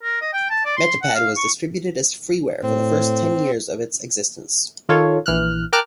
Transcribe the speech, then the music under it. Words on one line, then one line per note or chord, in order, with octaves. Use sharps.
Metapad was distributed as freeware for the first ten years of its existence.
A#4
D#5
G5
A5
D5
C6
F#5
F5
C#6
A2 C4
D#3 F4 A4 C#5
A#1 E3 F6 F#6
A#4 G5 A5 D6 F6 F#6